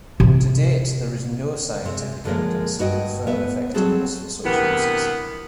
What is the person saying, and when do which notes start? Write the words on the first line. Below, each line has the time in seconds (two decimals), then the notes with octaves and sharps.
To date there is no scientific evidence to confirm effectiveness for such uses.
0.20 C3 E4
1.85 C3 G#3 C4
2.25 D3 F3 G#3 A#3 A#4
2.79 G2 F#4 D#5 G5
3.27 B3 B4 E5
3.74 F#3 G3 C4 F#4 G#4 A4
4.44 D2 C3 E3 B3 G4 A#4